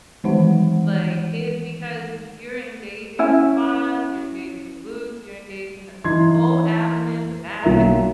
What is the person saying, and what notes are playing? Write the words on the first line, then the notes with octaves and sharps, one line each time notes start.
like, it because you're engaging the quads, you're engaging the glutes, you're engaging the the whole abdomen, the back,
D#3 E3 G#3 D#4 F#5
C#4 E4 G#5
E3 D#4 C6 G#6
B1 A#3 E5 A#5